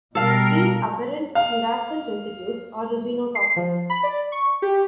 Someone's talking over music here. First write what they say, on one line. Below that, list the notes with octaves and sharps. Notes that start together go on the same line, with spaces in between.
These aberrant uracil residues are genotoxic.
B2 G3 A4 A#4 F5
F5
C7
F3
B5
D5
C#6
G4